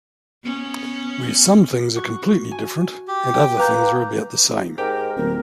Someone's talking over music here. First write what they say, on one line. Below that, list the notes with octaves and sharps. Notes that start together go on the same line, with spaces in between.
Where some things are completely different, and other things are about the same.
B3 C#4
F#4 C#6
G#5
G4
G5
A#3 B4 A#5 G6
G#2 G4 A#4
D1 A#4